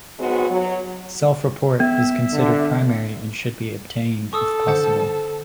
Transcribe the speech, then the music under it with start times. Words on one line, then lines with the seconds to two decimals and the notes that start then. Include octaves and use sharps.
Self-report is considered primary and should be obtained if possible.
0.19 G#2 F#3 G#3 B3 C4 F#4
0.50 F#3
1.80 B3 E5
2.33 D3
4.33 A4 C#6 D#6 E6
4.68 D3 C5 F#5 A5